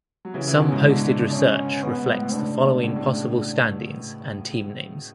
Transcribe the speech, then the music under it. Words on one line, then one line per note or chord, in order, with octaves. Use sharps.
Some posted research reflects the following possible standings and team names.
F#3
C#3 E3 C#4
C#3 E3
B2 D3
G#2 B2
D4
C#4
B3
G#2
A2
A2 C#3 D4
G#2 B2
A2 C#3
A2 C#3